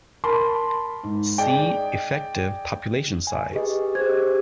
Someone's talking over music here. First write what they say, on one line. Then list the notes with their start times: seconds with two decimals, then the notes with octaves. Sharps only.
See effective population size.
0.24 A#4 A5 B5 C6
1.04 G#2
1.38 G#4 D5 D#5 G5
3.27 G#5
3.53 G4 G#4 B4 D#5
3.95 G4 G#4 C5 G#6